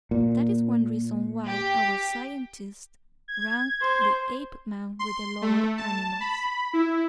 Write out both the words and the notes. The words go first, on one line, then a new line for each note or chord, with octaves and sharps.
That is one reason why our scientists ranked the Apeman with the lower animals.
A#2
G4
G#6
C5 C6
C6
A3
A5
B5
E4